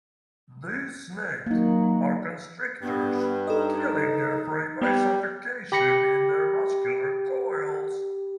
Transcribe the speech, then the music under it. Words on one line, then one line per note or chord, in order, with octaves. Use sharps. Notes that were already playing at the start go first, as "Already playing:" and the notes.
These snake are constrictors, killing their prey by suffocation in their muscular coils.
F#3 A#3 D#4
G2 B3
D#4 A4 D#5
G3 B3
G4 B5 A#6 C#7